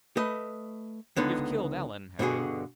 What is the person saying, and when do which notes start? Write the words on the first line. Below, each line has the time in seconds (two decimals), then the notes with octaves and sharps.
You've killed Alan, have you?
0.17 A3 B4 D#5
1.17 C#2 D3 B3 D#4
2.19 G2 B2 D3 F#4 G#4